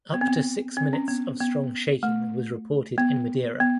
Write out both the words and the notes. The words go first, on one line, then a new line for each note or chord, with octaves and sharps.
Up to six minutes of strong shaking was reported in Madeira.
B3
C4
B3
C4
C#4
B3
B3
A3
B3
B3